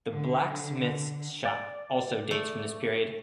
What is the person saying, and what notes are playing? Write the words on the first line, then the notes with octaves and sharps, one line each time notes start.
The Blacksmith's Shop also dates from this period.
D3
D5
A3